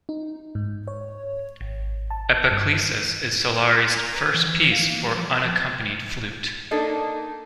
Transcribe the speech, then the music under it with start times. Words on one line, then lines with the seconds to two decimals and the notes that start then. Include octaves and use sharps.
Epiclesis is Solare's first piece for unaccompanied flute.
0.09 D#4
0.55 G#2
0.88 C#5
1.61 G#1
2.10 A5
2.51 G2
3.97 A#5
4.14 B4
4.34 E3
4.46 E3
4.72 F5
4.90 A#3
5.02 G3
5.16 F3
6.71 A#3 D4 D#4 A4